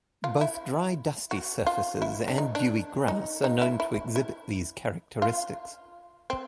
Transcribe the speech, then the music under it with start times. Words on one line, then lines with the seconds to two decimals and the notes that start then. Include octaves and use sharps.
Both dry dusty surfaces and dewy grass are known to exhibit these characteristics.
0.24 F4
0.41 E4
1.31 F#4
1.67 F4
2.02 E4
2.28 D4
2.38 D#4
2.55 D4
3.08 D#4
3.44 D#4
3.62 E4
3.80 E4
4.16 E4
5.22 F4
6.30 C4